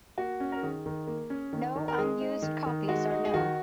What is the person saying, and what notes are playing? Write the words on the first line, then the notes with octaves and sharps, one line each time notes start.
No unused copies are known.
A#3 F#4
C#4
A#4
D#3 G#4
D#3
A#3
C#4
D#3
D#3
A#4
G#3 G#4
D#4
D#3
D#3
G#3 F#4
D#4
G#4
D#3 F#4